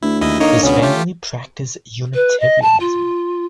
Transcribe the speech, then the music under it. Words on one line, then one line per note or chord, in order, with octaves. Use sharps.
His family practiced Unitarianism.
D2 E4
D#2 E4 D#5
D3 A#3 D#4 C#5 D#5
C#2 B2 B3 C#4
A3 F4 G4
B4
D#5
A5
F4